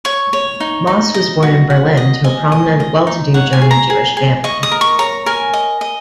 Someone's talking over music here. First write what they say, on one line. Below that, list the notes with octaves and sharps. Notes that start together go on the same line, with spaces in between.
Mosse was born in Berlin to a prominent, well-to-do German Jewish family.
C#5 C#6
C#5
D#4
D#4
D#5
F#4
F#4
D#5
D#5 G#5
D#5
D#5
D#4
C#5 F#5
G#5
G#4
A#5
G#4
G#4
D#5 C#6
D#6
A#4
C#6
C#5 A#5
A#4 G#5
D#5
D#5